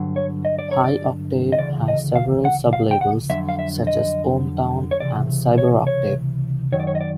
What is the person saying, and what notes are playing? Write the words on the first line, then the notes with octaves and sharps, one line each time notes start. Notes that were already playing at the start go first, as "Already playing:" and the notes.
High Octave has several sub-labels, such as OmTown and CyberOctave.
Already playing: G2 D3 F#3
C#5
D#5
D5
C#5
D5
D#5
D2 C#3 E3 D5
D#5
F5
F#5
F5
G5
F#5
F2 D3 F#3 E5
F5
E5
D#5
C#5
C#2 C3 E3 D5
C#5
C#5
F#2 D#3 F#3 C#5
D5
C#5
D#5
D5